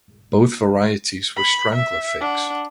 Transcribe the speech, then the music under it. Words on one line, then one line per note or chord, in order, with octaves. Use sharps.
Both varieties were strangler figs.
B5
E5
D4 F#5